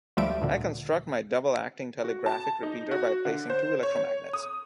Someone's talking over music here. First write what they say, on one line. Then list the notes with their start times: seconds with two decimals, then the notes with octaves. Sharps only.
I construct my double-acting telegraphic repeater by placing two electromagnets.
0.17 D2 F3 G3 A3 E5 D7
0.42 D2 A#2 D3
2.04 F#4
2.26 A5
2.63 D#4
2.91 F#4
3.25 D3
3.50 C5
3.83 C#5
3.97 C#5
4.33 D#6